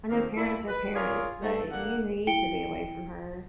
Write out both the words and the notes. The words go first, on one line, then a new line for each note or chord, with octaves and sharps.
I know parents are parents, but you need to be away from her,
D#3 F3 A#3 C4
A#2 E4
B4
F4 G#4 A#4 C#5 D5
A3
D3 A#3 F#5
E4 G5 C#7 D7 G7